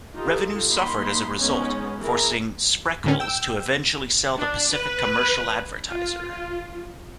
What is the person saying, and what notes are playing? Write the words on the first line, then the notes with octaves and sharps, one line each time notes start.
Revenue suffered as a result, forcing Spreckels to eventually sell the "Pacific Commercial Advertiser".
D#4 F4 G4 A4
A#3 D#4 B5 C6
G#3 B3 C#4 D#4
E3 G#4 A#4 A#5
A2 D3 C#4
G5 E6
D4
B4
F4